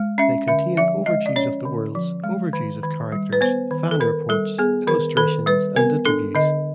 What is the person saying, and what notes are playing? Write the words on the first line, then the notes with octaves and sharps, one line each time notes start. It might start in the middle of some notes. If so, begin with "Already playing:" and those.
They contain overviews of the worlds, overviews of characters, fan reports, illustrations, and interviews.
Already playing: G#3
C#4 E5
D3 E5
F3 E5
G#3 D#5
D5
C#4 C#5
D3
F3
G#3
D#3
D#3
G3
B4
B3 C5
D#3
A4
D#3 A#4
G3 A4
B3 G#4
D#3 A#4
D#3 A4
G3 B4
B3 A#4
D4 A4
D3 D#5